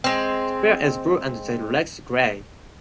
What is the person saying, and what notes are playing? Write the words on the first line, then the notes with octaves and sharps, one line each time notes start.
The bill is blue and the legs grey.
G#3 C4